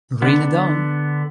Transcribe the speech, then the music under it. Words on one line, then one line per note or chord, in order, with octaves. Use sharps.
Ring a dong!
D3 B3